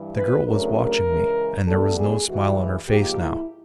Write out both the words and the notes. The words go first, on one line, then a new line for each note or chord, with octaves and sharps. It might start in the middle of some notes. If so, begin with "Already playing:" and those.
The girl was watching me, and there was no smile on her face now.
Already playing: G2 E3 G3
B4
E2 C#3 F#3 A3 D4 A#4
A#4
C#3 E3 G#3
D2 D3 G3 B3 D4 A4
G#4
G2 E3 G#3 F#4
G#2 F3 A#3 G4
E4